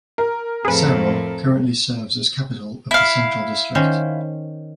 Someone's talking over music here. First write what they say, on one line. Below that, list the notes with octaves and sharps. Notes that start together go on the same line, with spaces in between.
Serowe currently serves as capital of the Central District.
A#4
F2 A2 C4 G#4 A4 B4
E4 F5
D#3 C#4 C5